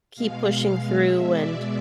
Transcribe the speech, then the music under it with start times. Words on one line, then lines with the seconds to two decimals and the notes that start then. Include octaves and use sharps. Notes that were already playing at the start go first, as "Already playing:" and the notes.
keep pushing through, and
0.16 B2 G#3 F5
0.89 B2 G#3 E5
1.27 D5